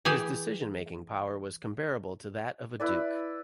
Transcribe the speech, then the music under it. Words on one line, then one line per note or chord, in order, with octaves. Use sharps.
His decision-making power was comparable to that of a Duke.
E3 G4 G#4 G#5
E4 B4 D5